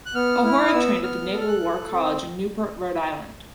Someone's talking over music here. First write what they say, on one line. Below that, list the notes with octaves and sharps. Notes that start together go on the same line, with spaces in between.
O'Hora trained at the Naval War College in Newport, Rhode Island.
F#6
B3 F6
E4 F6
D#6
B3 E6
B3 F6
A4
F6
F#6
A4
C4